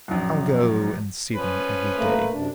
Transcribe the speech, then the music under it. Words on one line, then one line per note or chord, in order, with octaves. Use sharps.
I'll go and see them every day.
A#1 F#2
F3 C#4 B4
A3 A#3
F#2 C3 D4